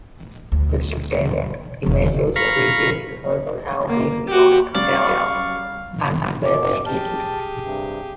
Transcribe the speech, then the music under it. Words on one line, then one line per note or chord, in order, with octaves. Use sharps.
Extant images reveal her to have been blonde-haired and fair-skinned.
D2
E1 D#3
F5 A#5 B5 C#6
A#3
F#4 G4
C#3 F#3 G3 D5 F5 C#6
F#2 B2 D6
G4 G#4 A5 F6
G2 C3